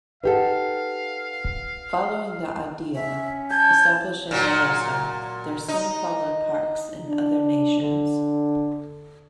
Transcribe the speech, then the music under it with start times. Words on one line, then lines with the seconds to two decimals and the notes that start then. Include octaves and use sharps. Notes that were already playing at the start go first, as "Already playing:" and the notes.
Following the idea established in Yellowstone, there soon followed parks in other nations.
0.23 D#4 G4 A4 B4 F5 F#5
2.95 C#4 E5
3.50 A5 G6 G#6
4.31 A#2 F#3
5.68 D#4
7.07 D4
7.80 D3